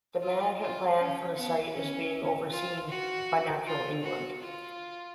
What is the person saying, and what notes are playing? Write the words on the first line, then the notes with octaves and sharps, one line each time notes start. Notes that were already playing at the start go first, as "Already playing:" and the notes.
The management plan for the site is being overseen by Natural England.
F4
F4
C#4
B3
C#4
F4
F#4
F4
F#4
F4